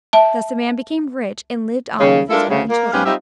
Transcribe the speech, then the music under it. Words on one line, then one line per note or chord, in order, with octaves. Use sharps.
Thus the man became rich and lived on with his wife and children.
E5 A5
D#2 C#3
G#3 D4 E4 F4 A4 A#4
D2 C#3
A#3
G#2 B3 C#4 G4 B4 F5
G3 C4 D#4 F4 G4 E5